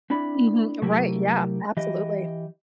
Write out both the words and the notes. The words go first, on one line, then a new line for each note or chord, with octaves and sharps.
Mhm, uh, right, yeah, absolutely.
C4 D4 E4 D5 B5
C3 F#3 A3 A#3 E4 G4
E3 G4 D#5